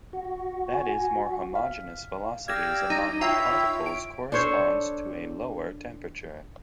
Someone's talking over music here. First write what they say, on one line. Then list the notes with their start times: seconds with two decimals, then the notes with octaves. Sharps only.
That is, more homogeneous velocities among particles corresponds to a lower temperature.
0.13 F#4
0.73 G#5
1.55 F5
2.48 G4 D5 F5 E6 G#6 A#6
2.90 D#4 A#5
3.21 E4 F4 C#5 E5 G5
3.86 D7
4.32 D4 A4 C5 C#5